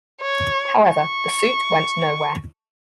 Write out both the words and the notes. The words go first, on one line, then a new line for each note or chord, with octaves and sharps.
However, the suit went nowhere.
C#5
C#6